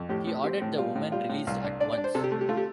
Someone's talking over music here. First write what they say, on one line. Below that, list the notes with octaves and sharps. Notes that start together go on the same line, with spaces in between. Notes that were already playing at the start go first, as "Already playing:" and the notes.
He ordered the women released at once.
Already playing: F2
A2 G4
A2
C4 G4
A2
G3 F4
A2
G3 F4
A2
C2 F5
D4
D4 D5
D5
D4
C5
C3 A4
G4
A3
G4
A3 F4
G4